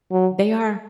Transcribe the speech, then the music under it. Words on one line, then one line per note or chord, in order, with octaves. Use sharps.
They are.
F#3